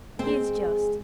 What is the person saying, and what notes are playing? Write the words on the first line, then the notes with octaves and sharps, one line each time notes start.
He is just.
G#3 C4 G#4